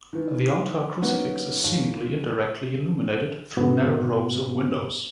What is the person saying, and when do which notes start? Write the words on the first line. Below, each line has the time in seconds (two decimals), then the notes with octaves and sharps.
The altar crucifix is seemingly indirectly illuminated through narrow rows of windows.
0.13 D#3 E3
1.02 F#3 A#3 B3 C#4 D#4 F#4
1.64 D#2
3.57 G#2 B2 B3 F#4